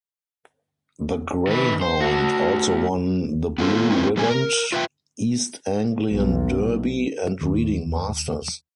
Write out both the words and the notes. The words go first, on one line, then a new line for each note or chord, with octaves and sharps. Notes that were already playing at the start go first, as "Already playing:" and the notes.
The greyhound also won the Blue Riband, East Anglian Derby and Reading Masters.
D#3 B4
C5
A3 F#4
B3 F4 A4
G#3 A#3 C4 E4 B4
G#2 G3 B3 G#4 G#5
A#4
F4 B4 E5 G5
B1
D#2